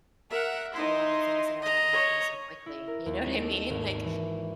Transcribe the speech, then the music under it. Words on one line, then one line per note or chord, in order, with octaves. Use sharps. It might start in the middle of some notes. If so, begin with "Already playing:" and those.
a lot of the things that are already happening so quickly. You know what I mean? Like,
A#4 E5 F#5
D#4 E4 C6
D#5 A#5
C#5
E4
A#4
D#2
G#3
A4
G#1
E3